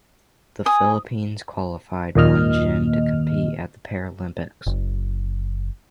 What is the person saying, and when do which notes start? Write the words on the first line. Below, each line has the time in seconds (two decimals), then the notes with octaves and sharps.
The Philippines qualified one jin to compete at the Paralympics.
0.66 G#5 D#6
2.16 D#2 A#2 D#5 F6
4.66 F#1